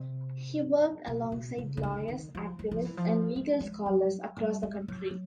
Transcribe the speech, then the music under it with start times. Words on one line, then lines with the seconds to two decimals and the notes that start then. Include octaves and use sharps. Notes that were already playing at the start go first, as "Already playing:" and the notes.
He worked alongside lawyers, activists, and legal scholars across the country.
Already playing: C3
1.07 B2
1.32 B2
1.58 C#3
1.77 C#3
1.83 D3
2.08 D#3
2.35 F3
2.59 F#3
2.71 F3
2.85 E3
2.97 F3
3.36 G#3
3.60 G#3
3.86 F#3
4.37 G3
4.63 G#3
4.88 F#3